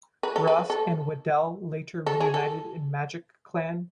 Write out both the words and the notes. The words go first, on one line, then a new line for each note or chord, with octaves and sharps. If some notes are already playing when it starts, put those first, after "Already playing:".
Ross and Weddell later reunited in Magic Clan.
B4
A4
B4
A4
A4
G#4
A4